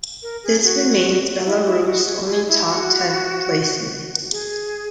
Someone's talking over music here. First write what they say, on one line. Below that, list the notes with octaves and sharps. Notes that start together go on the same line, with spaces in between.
This remains Belarus' only top ten placement.
A#4
G#4
F#4
E4
E4
G#4
F#4
G#4
G#4
E4
F#4
G#4